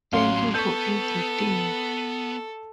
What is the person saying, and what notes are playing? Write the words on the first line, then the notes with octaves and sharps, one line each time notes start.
Thank you for everything.
A1 E2 F#3 F5 C6
B3 A4 C#6 G6